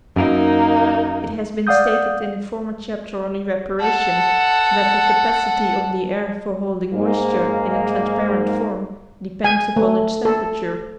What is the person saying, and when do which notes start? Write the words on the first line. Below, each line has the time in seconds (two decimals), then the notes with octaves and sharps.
It has been stated in a former chapter on evaporation that the capacity of the air for holding moisture in a transparent form depends upon its temperature.
0.16 F#2 A#3 D#4 A#4
1.67 D5 F5 F#5 D#6 G6
3.81 A4 F#5
6.93 G#2 G#3 A#3
9.44 G#5
9.76 A3
10.25 A4